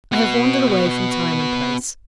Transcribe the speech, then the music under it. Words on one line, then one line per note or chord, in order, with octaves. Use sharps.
I have wandered away from time and place.
B3 F#4